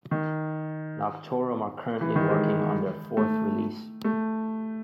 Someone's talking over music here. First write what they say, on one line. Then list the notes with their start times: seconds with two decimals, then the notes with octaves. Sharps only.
Noctorum are currently working on their fourth release.
0.11 D#3
2.01 E3
2.16 D#3
2.30 G#3
3.17 A3
4.04 A3